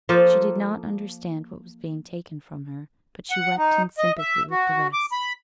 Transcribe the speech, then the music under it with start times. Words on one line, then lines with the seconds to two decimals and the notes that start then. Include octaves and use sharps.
She did not understand what was being taken from her, but she wept in sympathy with the rest.
0.09 F3 A#3 A4 C5
3.31 F#5
3.58 D#4
3.98 D#5
4.19 E5
4.51 F#4
4.93 D6
5.12 B5